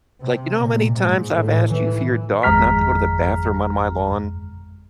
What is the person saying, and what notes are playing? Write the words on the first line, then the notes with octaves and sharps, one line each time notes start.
Like, "You know how many times I've asked you for your dog not to go to the bathroom on my lawn?
C3
A#2
G#2
A2
E3
G#1 F2 G#3 A#5 F6 B6